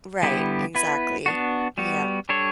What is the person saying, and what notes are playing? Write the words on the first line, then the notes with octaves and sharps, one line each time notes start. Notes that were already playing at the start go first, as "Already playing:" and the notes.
Right, exactly, yep,
D3 G3 B3 E4 G4
B3 E4 B4
B3 D4 F#4
G3 B3 F#4
G3 D4 A4 C#5